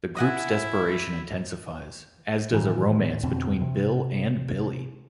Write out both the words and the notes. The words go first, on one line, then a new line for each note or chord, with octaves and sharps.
The group's desperation intensifies, as does a romance between Bill and Billie.
E4 D#5 F#5 G#5
A2 D#3 E3
F2 B2 D3 C4
C3